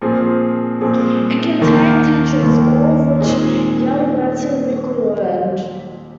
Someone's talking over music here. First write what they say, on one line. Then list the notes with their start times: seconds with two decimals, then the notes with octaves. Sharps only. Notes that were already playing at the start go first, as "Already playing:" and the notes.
It contained ten tricks, all of which young Burton quickly learned.
0.02 A#2 F3 C4 G#4
0.81 A#2 F3 C4 G#4
1.61 D#2 D#3 A#3
2.40 D#2 D#3 A#3
3.20 A#2 G#3 C4 D#4 G#4